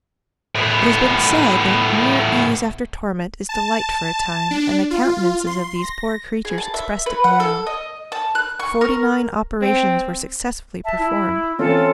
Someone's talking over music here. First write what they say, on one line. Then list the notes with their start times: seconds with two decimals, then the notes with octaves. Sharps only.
It has been said that mere ease after torment is delight for a time; and the countenances of these poor creatures expressed it now. Forty-nine operations were successfully performed.
0.55 A2 B3
3.49 A5
4.51 D4
4.91 F4
5.47 C6
5.82 A#6
6.45 G#4
6.58 A5
6.74 E5
7.06 B4
7.24 F#5
7.40 A4
7.67 D#5
8.12 A5
8.35 F#6
8.59 C#6
8.81 A#4
9.62 C4
10.85 E5 A5
10.98 E4
11.59 E3 C4 C#4 F4 A4